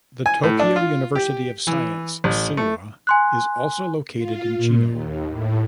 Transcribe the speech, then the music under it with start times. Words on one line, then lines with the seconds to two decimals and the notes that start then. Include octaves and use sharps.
The Tokyo University of Science, Suwa is also located in Chino.
0.26 G#5
0.43 A2
0.60 D4
0.76 F4
1.15 G4
1.67 E3
2.24 A1
2.57 A3
3.07 G#5 C6 F#6
4.19 F4
4.57 A#2
4.91 D#2
5.30 A2